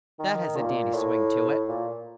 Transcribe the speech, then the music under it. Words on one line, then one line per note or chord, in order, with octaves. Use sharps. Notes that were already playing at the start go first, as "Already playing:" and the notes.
"That has a dandy swing to it."
D#3
A#2
A2
A#2